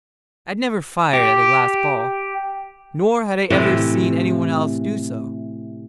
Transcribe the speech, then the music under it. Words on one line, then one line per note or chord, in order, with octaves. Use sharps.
I had never fired at a glass ball, nor had I ever seen anyone else do so.
G4
A2 C3 E3